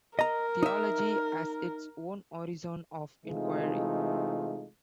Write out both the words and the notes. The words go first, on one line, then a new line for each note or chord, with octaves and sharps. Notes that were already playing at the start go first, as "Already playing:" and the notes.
Theology has its own horizon of inquiry.
A#4 D#5 A#5
D#4 E5
C3 E3 G#3 A3 D#4 F4